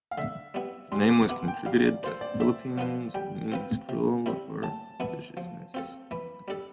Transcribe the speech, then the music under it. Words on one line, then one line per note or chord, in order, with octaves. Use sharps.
The name was contributed by the Philippines and means cruel or viciousness.
F5
D3 E5
G3 B3 E4
G3 C6
D6
B3 E4 D6
G5
G3 F5
D5
D4 F4 A4 C5
D5
A2 E5
F3 B3 F4 B4
G3 G5
C4 F4 B4
C3
G3 C4 E4
A2 A5
E3 B3 E4
F3
C4 F4 A4
E3 B5
G3 D4 A4